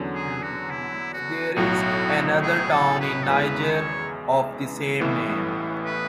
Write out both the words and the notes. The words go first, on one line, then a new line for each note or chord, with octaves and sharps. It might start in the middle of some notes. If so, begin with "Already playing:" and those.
There is another town in Niger of the same name.
Already playing: E2 D3 F#3 C#4
G#4
F#4
E4
F#4
B1 A2 F#3 F#4
G#4
A4
B4
A4
E2 C#3 E3 G#3 B4
C#5
A1 A2 E3 B3
B4